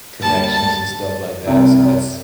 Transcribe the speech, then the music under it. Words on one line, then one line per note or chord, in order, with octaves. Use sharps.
connections and stuff like that. So, that's
D2 D3 G3 A#3 A5
A5
C2 C3 G3